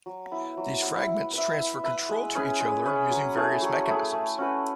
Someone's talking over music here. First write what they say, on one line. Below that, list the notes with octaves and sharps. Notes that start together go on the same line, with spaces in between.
These fragments transfer control to each other using various mechanisms.
F#3
B3 E4
F#3
B3 E4
E4
B4 E5
E4
B4 E5
G#3
C#4 G#4 B4
G#3
C#4 G#4 B4
F#3
A3 E4 G#4
F#3
A3 E4 G#4
A3
C#4 F#4 B4